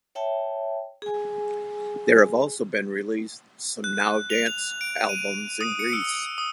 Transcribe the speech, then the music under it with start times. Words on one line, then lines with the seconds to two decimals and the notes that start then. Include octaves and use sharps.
There have also been released some "Now Dance" albums in Greece.
0.15 C#5 E5 G5 A5
1.02 G#4 G#5
3.84 F#6
4.30 F7
4.81 D7
5.09 D#7
5.61 D#6
5.79 C#7
5.93 E6
6.38 D#6